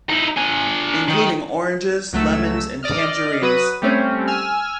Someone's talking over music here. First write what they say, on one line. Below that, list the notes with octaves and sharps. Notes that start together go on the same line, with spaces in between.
Including oranges, lemons, and tangerines.
D#4 E4
D4 G#5
D#3
C#2 F#3 A3 E6
D5 D#5 F6
F#3 B4 D#6 D#7
G3 A3 C4 C#4
G#5 E6 F6